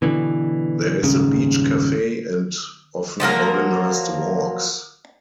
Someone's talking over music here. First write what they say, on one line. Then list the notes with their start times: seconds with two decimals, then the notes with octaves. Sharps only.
There is a beach cafe and often organised walks.
0.02 B2 D3 E3
1.03 D#1 G#2 C#3
3.20 F3 F#3 A#3 A#4